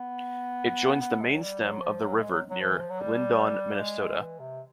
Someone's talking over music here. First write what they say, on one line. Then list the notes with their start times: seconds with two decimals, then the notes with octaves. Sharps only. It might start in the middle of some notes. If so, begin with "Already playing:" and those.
It joins the main stem of the river near Glyndon, Minnesota.
Already playing: B3
1.01 B3
1.21 G#3
1.33 F#3
1.41 G3
1.61 F#3
1.80 F3
2.01 F#3
2.20 G#3
2.30 F#3
2.50 F#3
2.60 F3
2.70 E3
2.80 F3
2.90 F#3
3.00 G3
3.80 G#3
4.20 E3
4.40 C3